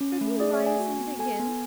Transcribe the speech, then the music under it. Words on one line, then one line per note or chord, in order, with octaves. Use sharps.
Should he rise and begin?
C#4
A3
G#4 D5
E5
A3
G#5
F#4
B3
A4 G#5
B3